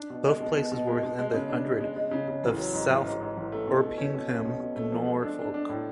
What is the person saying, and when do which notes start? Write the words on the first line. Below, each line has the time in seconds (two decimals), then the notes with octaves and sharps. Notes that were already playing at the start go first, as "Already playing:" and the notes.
Both places were within the hundred of South Erpingham in Norfolk.
Already playing: D4
0.10 B2
0.26 G#3
0.40 B2
0.57 B2
0.72 B2
0.87 G#3
1.03 B2
1.19 G#3
1.34 C#3
1.49 D4
1.65 G#3
1.81 G#3
1.96 G#3
2.11 C#3
2.28 C#3
2.43 A1
2.58 F#3
2.74 G#2
2.90 A1
3.05 G#2
3.21 G#2
3.37 A1
3.52 A3
3.67 B2
3.83 B2
3.98 C#4
4.14 B2
4.29 C#4
4.45 B2
4.60 B2
4.76 A3
4.92 F3
5.07 G#3
5.22 D4
5.39 D4
5.54 D4
5.69 A2